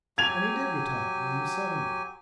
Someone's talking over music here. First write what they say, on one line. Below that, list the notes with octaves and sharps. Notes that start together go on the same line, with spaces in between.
And he did retire when he was seventy.
F#3 G4 G#5 G#6 F7